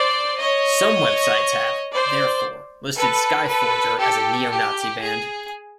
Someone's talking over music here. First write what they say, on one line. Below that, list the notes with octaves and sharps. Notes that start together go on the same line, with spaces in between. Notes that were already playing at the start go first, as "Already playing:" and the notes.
Some websites have therefore listed Skyforger as a Neo-Nazi band.
Already playing: C5 D5
C#5 D#5
C5 D5
A4 B4
A4 B4
G4 A4
G4
G#4